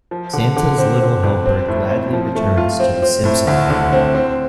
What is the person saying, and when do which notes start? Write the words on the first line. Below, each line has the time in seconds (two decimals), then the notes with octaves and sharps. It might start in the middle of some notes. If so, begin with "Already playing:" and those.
Santa's Little Helper gladly returns to the Simpson family.
0.11 F3
0.34 D3
0.57 D3
0.78 C4
1.01 C4
1.23 F2
1.46 C4
1.68 A2
1.91 C4
2.13 F3
2.36 A3
2.58 F4
2.80 C4
3.03 C4
3.25 A2
3.47 D2
3.70 D3
3.93 C4
4.15 C4